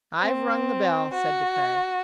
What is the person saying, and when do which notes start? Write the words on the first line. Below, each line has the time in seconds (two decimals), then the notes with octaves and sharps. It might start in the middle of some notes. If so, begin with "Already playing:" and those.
"I've rung the bell," said De Craye.
0.21 C4
1.14 F#4